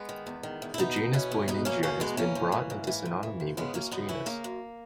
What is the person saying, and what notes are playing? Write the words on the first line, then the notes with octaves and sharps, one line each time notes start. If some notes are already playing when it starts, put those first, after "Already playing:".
The genus Buiningia has been brought into synonymy with this genus.
Already playing: G#3 B3
D#3
E2
D#3
E2
E4
B2 B3 D#4
E2
B2 C#4 E4
E2
B2 B3 D#4
E2 A#3 C#4
B2 A#3 C#4
E2 G#3 B3
E3 A#3 C#4
G#2
E3
G#2
E3
G#2
E3
G#2
C#3 G#3 B3
F#2 A#3 C#4
F#2 B3 D#4
E3 C#4 E4
C#3 A#3
F#2